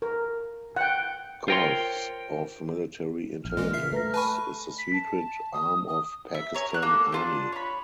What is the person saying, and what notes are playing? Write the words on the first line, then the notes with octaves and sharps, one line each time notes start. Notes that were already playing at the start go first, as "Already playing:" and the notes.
Corps of Military Intelligence is the secret arm of Pakistan Army.
A#4
F#5 G5
F4 A#4 C5 C#5 G5 C6
A#1 F6
A#2 E3 G#3
E5 C7
A3 B4 A#5 A#6
B4 G#5 A5 B5 C#6
B6
A5
D#6
D#6
E5
A#4 C#5 G#5
A4 F#6
A#3 A4
D4 F4 G4
C#5 B5